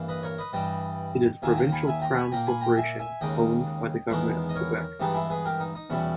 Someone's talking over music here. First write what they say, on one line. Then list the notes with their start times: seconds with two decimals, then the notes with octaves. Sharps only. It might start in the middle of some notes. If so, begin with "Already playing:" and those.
It is a provincial Crown corporation owned by the Government of Quebec.
Already playing: G2 E3 A#3
0.08 B4 D#5
0.23 A#4 C#5
0.38 B4 D#5
0.53 G2 E3 G3 D#5 G5
1.42 D#2 D#3 A#3 E5 G#5
1.58 G5 A#5
1.72 G#5 B5
1.87 E5 G#5
2.02 G5 A#5
2.17 G#5 B5
2.32 A#2 A#3 G5 A#5
2.47 G#5 B5
2.61 G5 A#5
2.77 E5 G#5
2.99 E5 G#5
3.21 D#2 C#3 G#3 D#5 G5
4.10 E2 D#3 G#3 B3
4.49 D#5
4.55 A#4 C#5
5.00 G2 E3 G#3 B3 D#4 G4
5.15 E4 G#4
5.30 G#4 B4
5.45 G4 A#4
5.60 D#4
5.75 D#4
5.90 E2 B2 G3 C#4 E4